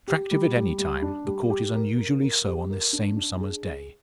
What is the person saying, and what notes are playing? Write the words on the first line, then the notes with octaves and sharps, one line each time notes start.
Attractive at any time, the Court is unusually so on this same summer's day.
G4
G3
G3
G3
D4
G3
G4
A#4
A#4
A#4
G4
A#4
D4
D4
G#4
G#4